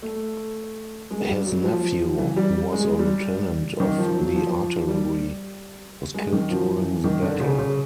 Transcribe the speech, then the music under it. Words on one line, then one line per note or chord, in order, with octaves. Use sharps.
His nephew, who was a Lieutenant of the artillery, was killed during the battle.
A3
G#3
G3
F#3
F3
E3
G3
G#3
G3
D#3
F3
F#3
F3
G3
G#3
D#3
F3
E3
D#3
D3
C#3
C#3